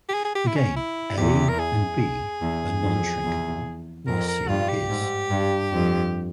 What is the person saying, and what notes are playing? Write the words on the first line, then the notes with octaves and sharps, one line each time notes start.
Again, "a" and "b" are non-shrinkable while "c" is.
G4
G#4
G#4
G4
E4
C#4
E4
E2 G4
A#4
G#4
E2
F2
E2
F2 A#4
A#4
G2 F4
G4
G#2
G2
F2